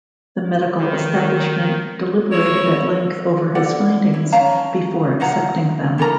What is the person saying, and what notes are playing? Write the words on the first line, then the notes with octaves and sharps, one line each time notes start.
The medical establishment deliberated at length over his findings before accepting them.
D#3
E4 F#4 C#5
A4 D5 F#5
E4
C#4 F5 A5 A#5
D#4 F5 F#5 A#5
E4 A4 A#4 A#5